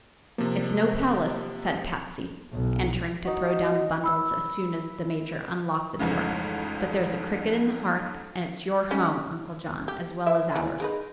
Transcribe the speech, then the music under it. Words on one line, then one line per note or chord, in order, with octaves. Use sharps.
"It's no palace," said Patsy, entering to throw down the bundles as soon as the Major unlocked the door, "but there's a cricket in the hearth, and it's your home, Uncle John, as well as ours."
C3 F3 A#3
B1
D#4 F#4
B5 E6
A1 F2 G#2 C#3
C#4 D#4 G4
G4
E3 E4 E5
E3
G#3 D#4 B4